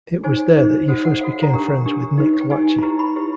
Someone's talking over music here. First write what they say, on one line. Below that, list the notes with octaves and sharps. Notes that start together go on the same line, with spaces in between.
It was there that he first became friends with Nick Lachey.
D#4 G#4 C5 G#5
D#4 G#4 C5
F#4 A4 C5 F#5
F#5
F#4 A4 C5 F5
F#5
A#5
D4 G4 A#4 A5
D4 G4 A#4
D#4 G4 B4
G5
D#4 G4 B4 G#5
A5
E4 G4 B4 A#5
B5
E4 G4 B4